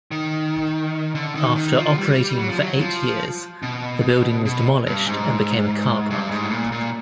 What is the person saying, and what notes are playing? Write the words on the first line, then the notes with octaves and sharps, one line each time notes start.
After operating for eight years, the building was demolished and became a carpark.
D#3
D3
D#3
D#3
F3
G3
F#3
F3
F#3
F3
B2
B2
G2
G#2
G2
G#2
A2
A#2
A#2